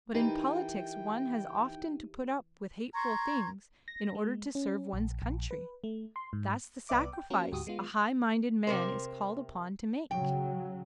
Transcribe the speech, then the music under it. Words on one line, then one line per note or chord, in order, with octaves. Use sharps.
"But in politics one has often to put up with hateful things in order to serve one's country. That's the sacrifice a high-minded man is called upon to make."
E3 D#4 G4 A#4 B4 G5
A#5 C6 C#6 G#6
A#6
G#3
C#4
A#1
A#1
B4
A3
C6
G#2
C2 B3 B4 D5 E5 D6
G5
A#3 C#4 F#4 A#4
D2 G#2 F#4 G4 D#6
G#3 B3 F4
C3 A#4 C5
C#3 F#3 G5